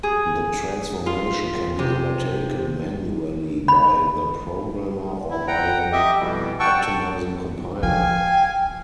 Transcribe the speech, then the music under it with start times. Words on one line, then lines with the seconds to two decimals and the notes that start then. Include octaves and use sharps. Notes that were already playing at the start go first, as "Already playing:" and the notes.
The transformation can be undertaken manually by the programmer or by an optimizing compiler.
0.03 G#4
1.06 F4
1.79 C3
3.68 B5
5.30 E4
5.48 F#5 G5 A#5
5.92 G4 D#5 E5 G5
6.19 F2 B2 E3 G3
6.60 F#5 G5 A5 C#6 E6
6.74 G5 A5
7.83 F3 F5 G5 G#5